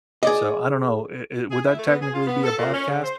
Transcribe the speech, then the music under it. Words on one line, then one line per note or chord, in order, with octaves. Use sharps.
So I don't know, it it would that technically be a podcast?
G#4 D5 D#5
G#4
E4
A3
B3
G#4
F4
B3
A4
A#2
C#4
C#3
C5